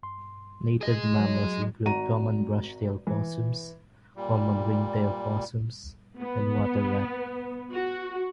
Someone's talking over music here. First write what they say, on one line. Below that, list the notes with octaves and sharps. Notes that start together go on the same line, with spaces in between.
Native mammals include common brushtail possums, common ringtail possums and water rat.
G2 C6
G#4 D#5
F#3 C#5
F#3
G#1 F#4 A#5 D#7
E3
A#2 G3
B3
F#4